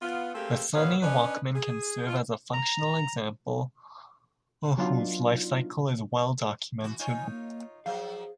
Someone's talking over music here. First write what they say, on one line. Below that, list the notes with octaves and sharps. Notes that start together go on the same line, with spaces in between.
The Sony Walkman can serve as a functional example whose life cycle is well-documented.
B3 F4
A3 A#3 C4 G4 G#4
D#2 A#2 B3 C#5 F5
C#4 D4 B4 D#5
G#4
F4
A#5
F#3 B3 D4 D#4 F4
E3 F#4
D#4 F4 C#5 G#5
A#3
F3 F#3 G#4 C5 F5